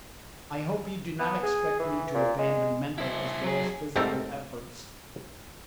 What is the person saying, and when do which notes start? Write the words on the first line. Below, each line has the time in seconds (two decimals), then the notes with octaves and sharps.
I hope you do not expect me to abandon mental as well as physical effort.
1.19 B3
1.43 G#4
1.80 E3
2.14 A#2
2.39 G#3
2.98 E4 C5
3.44 F#3 G#4
3.96 G#2 G3 A3 C4 A4 A#4